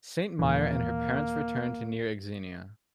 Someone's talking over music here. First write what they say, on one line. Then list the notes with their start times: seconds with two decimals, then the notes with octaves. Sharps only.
Santmyer and her parents returned to near Xenia.
0.39 D#1 A#1 E3 A#3